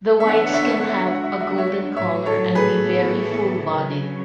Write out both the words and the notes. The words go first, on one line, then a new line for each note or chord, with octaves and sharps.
The whites can have a golden color and be very full bodied.
E3 B3 D4 A4 C#5 E5
F#5
E5
F#5
E5
F#5
E5
F#5
E5
F#5
G#3 D4 F#4 E5
F#5
E5
F#5
E5
F#5
C#5 E5
A2 F#3 A3 C#5 E5
A4 C#5
G#4 B4
A2 E3 B3 E4 A4
C#3 F#3 C#4